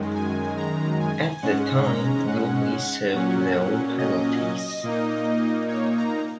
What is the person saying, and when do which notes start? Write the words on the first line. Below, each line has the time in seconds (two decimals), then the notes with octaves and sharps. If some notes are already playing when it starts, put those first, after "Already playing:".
At the time, goalies served their own penalties.
Already playing: F#2 D#3 G#3
0.15 G#5
0.57 A#5
1.00 G#5
1.42 G#2 G#3 C#4 F#5
1.85 A#5
2.27 F#5
3.13 A#2 F#3 C#4
3.98 D#5
4.83 A#2 A#3 D#4
5.68 C#5
5.97 A#5